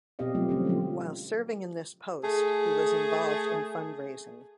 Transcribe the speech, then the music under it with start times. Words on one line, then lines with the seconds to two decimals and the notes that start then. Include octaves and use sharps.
While serving in this post, he was involved in fundraising.
0.19 B2 B3 C4 G4 D#5 F5
0.35 F#3 G3 A3 C4 F4
0.49 D3 F3 G#3 A3 C4 C#4
0.65 F3 F#3 F4
2.22 A3 G#4